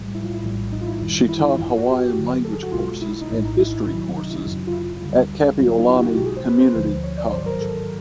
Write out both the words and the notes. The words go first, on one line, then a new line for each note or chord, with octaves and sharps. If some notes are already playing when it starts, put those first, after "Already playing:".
She taught Hawaiian language courses and history courses at Kapi‘olani Community College.
Already playing: B1 A2 E3 G3
E4
F4
E4
A#1 A2 E3 G3
D#4
F4
E4
F#2 D#3 G3
E4
E4
F4
A1 G2 E3 E4
F#4
G4
G2 D3 F#3
A4
G#4
F#4
B1 B2 G#3 F4
E4
D#4
A#1 A2 E3 E4
D#4
E4
C2 C3 D#3 F#3 E4
D#4
E4
G#1 F#2 C#3 F#3
F4
E4
D2 D3 G3
A1 G2 D3 F#3 E4
E4
D#4
F4
G4
F#4
B1 B2 G#3 G4
G#4
C5
B4
C5
D2 D3 F3 C5
C#5
D5
A1 G#2 D#3 F#3 C5
A#4
A4